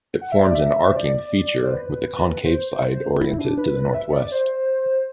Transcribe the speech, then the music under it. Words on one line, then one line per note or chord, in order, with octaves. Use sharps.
It forms an arcing feature with the concave side oriented to the northwest.
F#5
E5
D5
E5
C5
D5
C5
B4
C5
E4
D4
B4
B4
E5
D5
C5